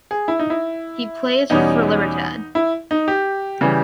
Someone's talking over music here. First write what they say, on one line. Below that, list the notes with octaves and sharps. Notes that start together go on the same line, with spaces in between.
He plays for Libertad.
G#4
E4
D#4
E4
E2 B2 G3 C#4 D#4
E4
D#4
G4
C#3 E3 G3